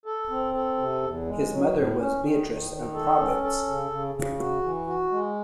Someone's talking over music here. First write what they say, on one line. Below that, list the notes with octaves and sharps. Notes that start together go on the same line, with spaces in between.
His mother was Beatrice of Provence.
A4
C4
A4
C3
E2
G#3
F#3
A2
C#4
D#3
D#3
D#3
A4
C#4
A4
C#3
C#3
C#3
F#4
E3
F#4
G#3